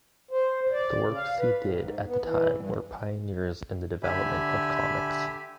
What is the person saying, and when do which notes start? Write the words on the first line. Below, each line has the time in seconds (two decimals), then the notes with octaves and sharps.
The works he did at that time were pioneers in the development of comics.
0.31 C5
0.72 D5
1.01 C#3
1.16 F5
1.38 B4
1.57 A2
1.74 G#2
2.06 B3
2.23 E3
2.54 G2
4.03 D3 G4 E5 G#5 B5